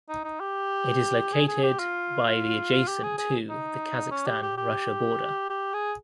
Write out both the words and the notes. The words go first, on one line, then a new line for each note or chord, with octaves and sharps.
It is located by the adjacent to the Kazakhstan–Russia border.
D#4
D#4
G4
G#4
G#4
G4
F4
F4
G4
G#4
G#4
D#4
C#4
G4
G4
G4
G4
G#4